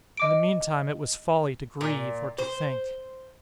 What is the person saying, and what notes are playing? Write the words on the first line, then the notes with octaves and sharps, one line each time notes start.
In the meantime it was folly to grieve, or to think.
D#5 D6 D7
A#2
C5